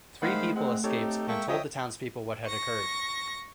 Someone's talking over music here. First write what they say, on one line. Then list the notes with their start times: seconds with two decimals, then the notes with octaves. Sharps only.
Three people escaped and told the townspeople what had occurred.
0.22 D#3 A3 C5 F5 F#5 B5 F#6
0.34 G#3
0.56 G#3 C4 F#5
0.84 C4 D#4 G4 A4 C#5
1.28 G#3 A#3 E5 G5 A5 C#6
1.48 F3 C#5 D#5 E5 G5 D#6
2.46 C#6 A#6